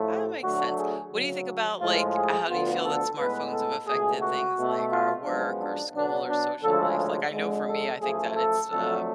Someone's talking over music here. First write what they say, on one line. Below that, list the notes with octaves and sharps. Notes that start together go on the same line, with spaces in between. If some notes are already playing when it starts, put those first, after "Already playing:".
That makes sense. What do you think about, like how do you feel that smartphones have affected things like our work, or school, or social life? Like, I know for me, I think that it's a
Already playing: A2 F3 A3
D2 D3 F#3 A3 F#4
G#4
D2 C#3 F#3
A2 F3 G#3 F4
G#4
D2 D3 F3 B3 F4
A4
A2 G#3 B3 B4
A4
C#2 B2 A3 G#4
F#4
B2 A3
F4
F#2 F3 G#3 B3 D4
D4
B2 F#3 B3 D4
D4
D2 C#3 F3 G#3 A4
F2 D3 G#3
A4
F#2 F3 A3 G#4
A4
F2 D3 F#3 A3 A4